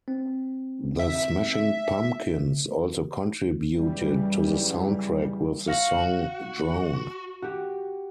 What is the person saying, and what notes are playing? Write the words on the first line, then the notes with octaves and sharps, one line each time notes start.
The Smashing Pumpkins also contributed to the soundtrack with the song "Drown".
C4
E5
F#2 C#3 E3 G3
F#4 F5 A#6
F#4 G4